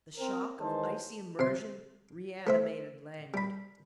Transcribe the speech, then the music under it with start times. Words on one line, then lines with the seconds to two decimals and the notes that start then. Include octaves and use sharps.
The shock of icy immersion reanimated Lanyard.
0.16 C4 A#4
0.60 D#3 E3 G#3 D#4 C5 A5
1.39 C3 C6
2.47 A3 C5 E5
3.34 G3 B5